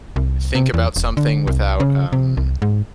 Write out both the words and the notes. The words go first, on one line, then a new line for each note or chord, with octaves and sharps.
think about something without, um,
C2
C3
E2
E1
D3
C2
C#3
C3
C2
G#2